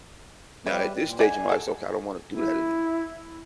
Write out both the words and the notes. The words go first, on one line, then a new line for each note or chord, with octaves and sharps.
now at this stage, I'm like, "So, okay, I don't wanna do that anymore."
G3 B4 C#5 E5
A#2
D5 E5 F#5 G#5
A4 F#5
E4